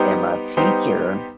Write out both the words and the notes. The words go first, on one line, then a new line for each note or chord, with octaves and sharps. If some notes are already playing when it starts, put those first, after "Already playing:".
and my teacher
Already playing: G3 B3 D#4 G4 C5
G3 B3 D#4 G4 C5